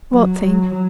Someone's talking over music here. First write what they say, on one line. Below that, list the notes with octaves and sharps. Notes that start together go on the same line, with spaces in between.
"What thing?"
F#3
F#3